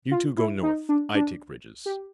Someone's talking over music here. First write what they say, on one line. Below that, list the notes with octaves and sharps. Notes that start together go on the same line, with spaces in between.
"You two go north--I take ridges."
F4
E4
D#4
D4
D4
G4